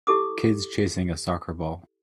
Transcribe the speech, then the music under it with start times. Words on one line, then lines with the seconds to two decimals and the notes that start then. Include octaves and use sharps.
Kids chasing a soccer ball.
0.07 E4 G4 A4 D6 D#6